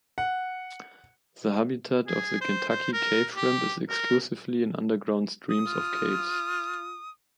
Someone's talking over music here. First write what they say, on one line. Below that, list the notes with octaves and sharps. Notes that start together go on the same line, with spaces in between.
The habitat of the Kentucky cave shrimp is exclusively in underground streams of caves.
F#5
G#4
C5
C5
A#4
G4
A#4
D#6
F4